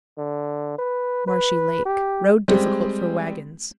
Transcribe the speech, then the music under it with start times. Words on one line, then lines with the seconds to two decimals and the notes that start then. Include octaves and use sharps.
Marshy Lake.--Road difficult for wagons.
0.18 D3
0.78 B4
1.28 B4
1.85 G4
2.48 G3 G#3 C4 G4